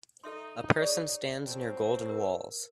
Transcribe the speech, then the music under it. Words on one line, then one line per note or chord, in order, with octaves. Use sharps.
A person stands near golden walls.
D#4 A4 E5 C6
G#4 C#5 D5
F2 F#3 C4
A#4